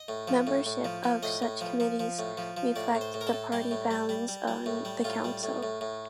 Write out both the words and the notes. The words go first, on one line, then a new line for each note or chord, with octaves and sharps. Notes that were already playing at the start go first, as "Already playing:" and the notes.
Membership of such committees reflects the party balance on the council.
Already playing: D#5
A2
F3
A2
A2
F3
F3
A2 D#5
A2
F3
F3
F3
A2
F3
F3
A2 D5
A2
C5
A2
A#4
A4
A2
G3 G4
A2
G3
G3
G3
G3
A2
G3
A2 F4
G3
A2
A2
A2